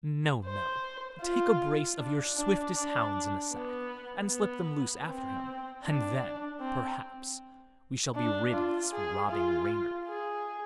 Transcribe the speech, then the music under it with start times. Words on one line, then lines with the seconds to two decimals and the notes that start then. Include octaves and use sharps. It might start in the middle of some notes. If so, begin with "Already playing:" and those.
No, no; take a brace of your swiftest hounds in a sack, and slip them loose after him; and then, perhaps, we shall be rid of this robbing Reynard.'
0.45 C5
1.22 F4
1.98 D4
2.37 D4
2.75 D4
3.52 B3
4.29 B3
5.07 C4
5.84 D4
6.60 C4
8.15 D4
8.53 F4
8.92 G#4
9.30 F4
10.08 G#4